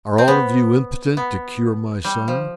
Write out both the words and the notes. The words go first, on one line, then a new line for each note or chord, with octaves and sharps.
Are all of you impotent to cure my son?
C4
B3
B3
G3
F3